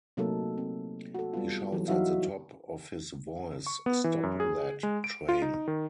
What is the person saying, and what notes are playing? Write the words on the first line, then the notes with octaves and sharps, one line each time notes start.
He shouts at the top of his voice 'Stop, That, Train!
C3 F#3 A3 A#3 D#4 A4
C4
F#4 A4
G3 B3 F4
E3 F#3 A4
E3 F#3 D#4 F#4 E5 F5
C#6
B3
E3
F#2
G#4
G#3
D7
F4
D#4
D#3